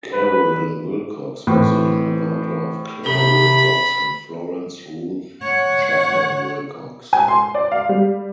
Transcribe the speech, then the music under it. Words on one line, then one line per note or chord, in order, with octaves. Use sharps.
Carolyn Wilcox was the younger daughter of Clair Wilcox and Florence Ruth Chapman Wilcox.
B4
A2 E3 C4
C3 B5 G7
C#5 F#5
G#5
C6
D5
F5
G3